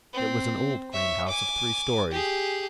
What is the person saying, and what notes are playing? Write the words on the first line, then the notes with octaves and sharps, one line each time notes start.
It was an old green house of three storeys.
C4
C#5 E5
G#5 D6
G4 G#4